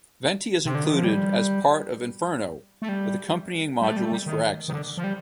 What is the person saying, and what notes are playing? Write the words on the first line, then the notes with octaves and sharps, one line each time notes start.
Venti is included as part of Inferno with accompanying modules for access.
C3
D3
D#3
F3
G3
A3
G3
G3
A3
G3
A3
G3
D#3
D#3
D3
F3
G3